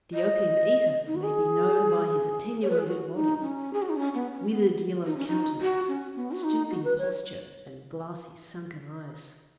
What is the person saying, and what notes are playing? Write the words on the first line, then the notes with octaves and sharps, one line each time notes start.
The opium-eater may be known by his attenuated body, withered yellow countenance, stooping posture, and glassy, sunken eyes.
D#5
D#4
F#4
G#4
C#5
B4
G#4
F#4
D#4
C#4
G#4
F#4
D#4
C#4
B3
C#4
B3
D#4
C#4
D#4
F#4
C#4
B3
F#4
D#4
F#4
B4
C#5